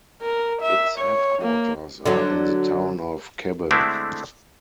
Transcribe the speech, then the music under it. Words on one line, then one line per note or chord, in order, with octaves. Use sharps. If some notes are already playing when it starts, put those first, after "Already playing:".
Its headquarters are in the town of Kebbe.
A#4
E5
C#5
A#3
D3 F#3
D3 G#3 A3 C4 D4 E4